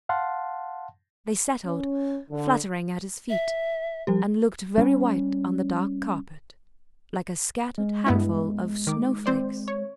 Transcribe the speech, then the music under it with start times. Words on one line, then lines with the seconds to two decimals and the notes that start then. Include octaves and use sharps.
They settled, fluttering at his feet, and looked very white on the dark carpet, like a scattered handful of snow-flakes.
0.09 F5 F#5 A5 C6
1.66 C#4
2.30 D3
3.30 E5
4.07 F3 G3 G4
4.78 G3 C4 C#4
7.78 G#3
8.07 G2 B3 E4
8.87 D#3 D6
9.26 C4 C5 D5
9.68 C#5